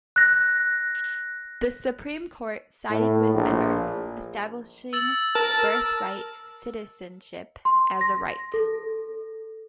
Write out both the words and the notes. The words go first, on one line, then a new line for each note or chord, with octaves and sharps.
The Supreme Court sided with Evarts, establishing birthright citizenship as a right.
F#6 A#6
A2
A#1
E6 A6 F#7
A#4 A5
C6
A#6
A4